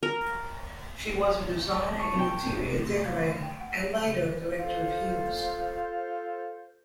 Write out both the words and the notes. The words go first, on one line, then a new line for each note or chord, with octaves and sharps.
She was a designer and interior decorator, and later a director of Heal's.
A#4
A5
C#6
G5
A3
F5
G5
F#5
A#6
C#3
F4 A4 C5